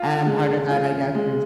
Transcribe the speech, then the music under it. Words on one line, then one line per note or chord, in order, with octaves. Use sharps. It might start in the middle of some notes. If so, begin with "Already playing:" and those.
and part of that, I guess, is
Already playing: F4
G#3
F4
G#3